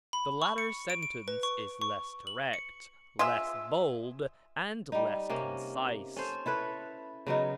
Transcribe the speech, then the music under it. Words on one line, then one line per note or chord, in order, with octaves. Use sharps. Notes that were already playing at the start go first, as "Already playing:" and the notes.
The latter sentence is less direct, less bold, and less concise.
B5
C#6
C#7
D7
D7
B4
C#6
C#6
F#7
C#7
F4 G#4 E5
G3 D#4
C3 A#3 C#4
C#4 A4 C5
E4 A4 B4 C#5
C#3 F#3 B3 D#4